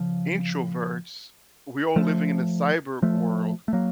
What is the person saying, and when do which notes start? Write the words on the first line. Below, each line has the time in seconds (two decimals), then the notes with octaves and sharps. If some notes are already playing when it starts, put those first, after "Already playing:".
introverts. We're all living in the cyber world
Already playing: C#3 F3
1.96 F3 A3
3.02 F3 A3
3.68 A3
3.73 F#3 A#3